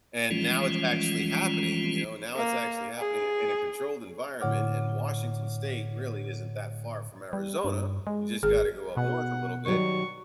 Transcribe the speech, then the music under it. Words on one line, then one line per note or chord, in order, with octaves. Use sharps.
and now it's actually happening, you know? Now it's actually happening in a controlled environment. And Washington State really isn't that far from Arizona, you just gotta go up north a little bit,
E3 F3 G3 G#3 C#4 F4
A#3
G#4
A2 D3 C#5 F#5 D6 F6
G3
G2
G#3
G#1 G#4
B2 F#5
D#3 F#3 G3 C#6